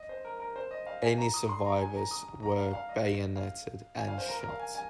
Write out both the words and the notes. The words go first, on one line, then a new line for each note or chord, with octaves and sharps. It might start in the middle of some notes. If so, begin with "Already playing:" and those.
Any survivors were bayoneted and shot.
Already playing: D#5
C5
A#4
A#4
C5
D#5
F5
G#5
A#5
D#6
C6
A#5
G#5
A#5
D#6
A#5
F5
F5
D#5
F5
G#5
F5
C5
A#4
A#4
F5
G#5
G#5